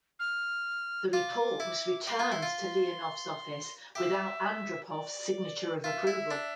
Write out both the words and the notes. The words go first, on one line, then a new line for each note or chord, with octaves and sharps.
The report was returned to Leonov's office, without Andropov's signature of approval.
F6
F4 D6
E4
G4 C6
F4
E4
F4
G4 E5
D5
F4 E5
E4
D4